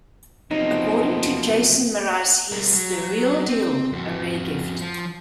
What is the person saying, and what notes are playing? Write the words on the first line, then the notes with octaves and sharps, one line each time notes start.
According to Jason Mraz: He's the real deal, a rare gift.
C3 F3 F#3 A#3 B3 D#4
G3 A#4
F#3
C4
F2 F#4
F3